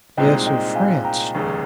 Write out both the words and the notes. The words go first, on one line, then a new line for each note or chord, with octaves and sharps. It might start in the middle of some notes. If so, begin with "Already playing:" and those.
Yes, of France.
C2 A#2 G#3 C4 D#4 D#5 G5
D#5 G5
F5 G#5
G5 A#5
F1 D#2 C#3 G#3